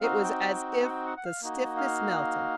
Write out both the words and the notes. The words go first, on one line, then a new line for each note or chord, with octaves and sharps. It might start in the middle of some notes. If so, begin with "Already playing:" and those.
It was as if the stiffness melted.
C4 D#4 F#4 F5
G5
G5
G5
F#5
G5
F#5
F#5
F5
A#3 D#4 F#4
F5